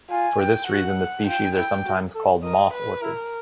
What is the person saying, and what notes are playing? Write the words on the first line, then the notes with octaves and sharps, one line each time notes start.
For this reason, the species are sometimes called moth orchids.
F4 G#5
G5
F#4 F#5
F4 G5
E4 G5
F#4
A4
A#4 D#5
B4
E4 A#4